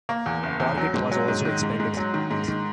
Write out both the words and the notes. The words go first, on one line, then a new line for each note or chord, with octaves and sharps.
Target was also expanded in size.
A#3
E2
F#1
E2
F#3
G#2
F#3
G#2
D#3
G#2
G#2
F#3
D#3
G#2
D#3